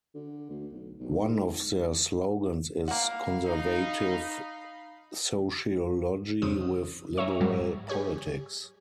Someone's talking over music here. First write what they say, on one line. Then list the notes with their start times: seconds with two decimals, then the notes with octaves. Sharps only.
One of their slogans is 'conservative sociology with liberal politics.
0.14 D3
0.50 D2
0.73 B1
1.00 B1
1.19 G#2
2.88 A#3 F5 F#5 B5
3.46 D#4
6.42 F2 C#3 C4 D#6
7.18 C#5 E5 G#5 A#5
7.40 G#2 F#3 G3
7.88 G4 G#4 C#5 G#5